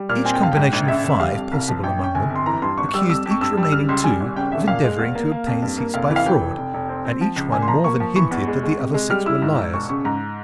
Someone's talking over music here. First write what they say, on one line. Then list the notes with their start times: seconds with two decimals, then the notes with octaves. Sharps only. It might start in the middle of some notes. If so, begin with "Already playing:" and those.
Each combination of five, possible among them, accused each remaining two of endeavouring to obtain seats by fraud, and each one more than hinted that the other six were liars.
Already playing: G3
0.09 A#2 F6
0.25 C4 G#5
0.34 G5
0.41 G2 F5
0.52 G5
0.57 G#2
0.73 A#1
0.88 C#3 E5
1.04 G1
1.20 G3 F5
1.36 F2
1.51 C2
1.68 F3
1.83 A#1 G5
1.99 C#4 G5
2.15 G1 G#5
2.30 F2
2.36 C6
2.46 E3 A#5
2.62 G2 C6
2.78 G#1 C#6
2.89 C#6
2.94 G3 E6
3.09 F2 E6
3.26 F2
3.31 C#6
3.41 G2 E6
3.57 G3
3.63 E6
3.72 C#3 F6
3.89 C#2 C6
4.04 G3 G#5
4.20 G#1
4.36 C#3 G5
4.52 E1 E5
4.67 A#2 F5
4.84 G#3
4.99 E2
5.15 A#3
5.32 A#3
5.47 F2
5.62 G2
5.78 A#3
5.94 F1 F5
6.10 E3
6.16 F5
6.26 E3 G5
6.41 F1
6.58 F1
6.74 F1
6.89 C4
7.05 C4
7.21 F3
7.36 C#2
7.52 A#2 G#5
7.62 C6
7.68 F3 A#5
7.84 A#3 C#6
8.00 F3
8.16 E3 C#6
8.31 E2
8.47 G#3
8.64 G#3
8.79 C3
8.94 G#3
9.10 G3 F6
9.26 E4 E6
9.42 G#2
9.58 G#2
9.74 E1 C#6
9.89 C#3 C#6
10.05 G#2 A#5